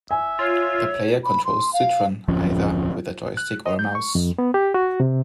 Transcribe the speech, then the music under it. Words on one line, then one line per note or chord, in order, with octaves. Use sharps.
The player controls Cytron either with a joystick or a mouse.
E5 G#5
F4 C#5
B5
C6
F5
D1 F2 F3 C#4
F#6
D#5
G6
C#6
F2
B3
G4
F#4
C3